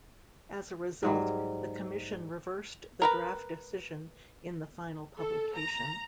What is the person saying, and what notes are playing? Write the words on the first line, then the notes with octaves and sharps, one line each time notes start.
As a result, the commission reversed the draft decision in the final publication.
G#2 F#3 G3
A#4 B4 A#5
A4
A#5